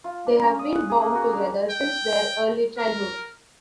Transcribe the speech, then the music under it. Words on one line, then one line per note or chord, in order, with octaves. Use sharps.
They have been bound together since their early childhood.
F4
D4
C#4
D#6
F#5
G#4
A#3
F#4
D4
G5
A#4